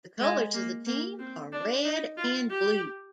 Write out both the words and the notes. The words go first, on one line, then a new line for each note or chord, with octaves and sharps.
The colours of the team are red and blue.
G#3
A#3
A#3
C4
D4
D#4
F4
G4